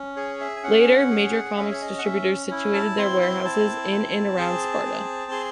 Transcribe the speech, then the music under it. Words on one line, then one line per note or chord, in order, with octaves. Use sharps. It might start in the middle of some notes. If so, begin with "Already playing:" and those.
Later, major comics distributors situated their warehouses in and around Sparta.
Already playing: C#4
G#4 C#5
E5
G#5
C#4 F#5
G#4
C#4 E5
C#5
D#5
F#5
C#4 E5
E4
A5
C4 C6
C6
E4 A5
C4
G#4
C4
G#4 C6